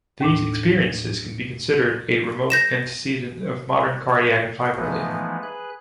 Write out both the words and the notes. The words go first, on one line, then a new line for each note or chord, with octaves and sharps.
These experiences can be considered a remote antecedent of modern cardiac defibrillator.
D#2 A2 D4
G6 A#6 E7
E3 F3 G#3 A3 B3 D#4
G#4 B4 F#6